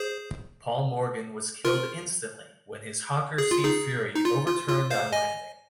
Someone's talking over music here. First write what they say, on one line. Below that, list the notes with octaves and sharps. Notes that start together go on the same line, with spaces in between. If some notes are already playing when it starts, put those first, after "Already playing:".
Paul Morgan was killed instantly when his Hawker Sea Fury over-turned on landing.
Already playing: G#4 C5
F4 A#4
G#4
F4
D#4 G#4
D#4
F4
F4
F4
C5 F5
D#5 G#5